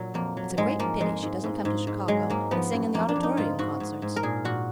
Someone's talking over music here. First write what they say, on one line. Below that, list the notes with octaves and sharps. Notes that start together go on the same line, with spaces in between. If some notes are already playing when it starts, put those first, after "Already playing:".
It's a great pity she doesn't come to Chicago and sing in the Auditorium concerts.
Already playing: A#2 F#3
F2 A#3
F#3
G#2 G#3
F3 A#3
F2 G#3
G#2
G#2
G#2
G#2
F#3 G#3
G#2 A#3
F3 B3
F#2
F2 A#3
D4
F2
D#4
G#2 F4
G#2 F#4
G#2
G#2
A#4
A#2 G#4
A#2 F#4